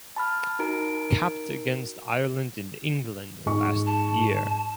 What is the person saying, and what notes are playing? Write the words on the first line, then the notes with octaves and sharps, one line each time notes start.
Capped against Ireland and England last year.
A5 B5 F6
D#4 F#4 A#4 A#5 D7
G#2 C#6
A5